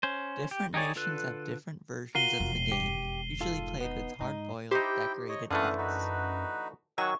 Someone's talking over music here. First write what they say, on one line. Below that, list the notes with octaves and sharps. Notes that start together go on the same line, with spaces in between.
Different nations have different versions of the game, usually played with hard-boiled, decorated eggs.
C#4 C5
G4
D#4 G4 G#4 C#5 D5
D3 F4 A4 B4 F#6
F4 F#4 A#4 C7 D#7 G7
E1 F2
G4
G#2 F4 A4
B3 D#4
G#2 D#4
D#4 E4 G4 C5 G5
C#5 D#5
F#2 D3 E3 A3 F5 D#6 F#6
D#4 F#4 B4
D#3 F#3 F#5 G#5 C#6 E6